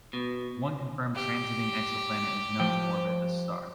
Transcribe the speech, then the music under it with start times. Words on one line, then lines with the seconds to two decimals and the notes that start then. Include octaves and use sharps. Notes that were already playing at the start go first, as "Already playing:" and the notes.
One confirmed transiting exoplanet is known to orbit this star.
0.13 B2
1.15 G4
2.60 F3 G5